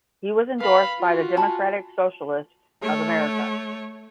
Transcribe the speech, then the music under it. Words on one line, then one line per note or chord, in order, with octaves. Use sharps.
He was endorsed by the Democratic Socialists of America.
B4 F5 B5
F4 F#4
G#5 A5 B5
A3 C#5